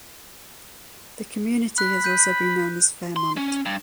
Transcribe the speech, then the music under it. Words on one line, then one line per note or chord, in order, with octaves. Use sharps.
The community has also been known as Fairmont.
B5 F#6
G6 D#7
C6
C#4
G2